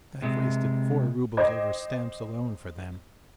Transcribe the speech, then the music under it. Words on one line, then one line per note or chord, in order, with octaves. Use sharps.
I have wasted four roubles over stamps alone for them.
C3 G#3
C5 D#5 G5 D6 G#6